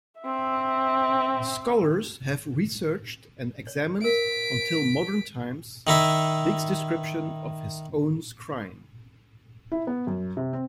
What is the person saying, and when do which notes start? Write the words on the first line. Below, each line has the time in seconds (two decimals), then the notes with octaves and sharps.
Scholars have researched and examined, until modern times, Byg's description of his own scrying.
0.21 C4 E5
3.67 C#5
4.02 A#4 E5 B6 D7
5.87 D#3 D#4 E4 E5
9.72 E4
9.87 B3
10.07 F#2
10.37 C3
10.53 C4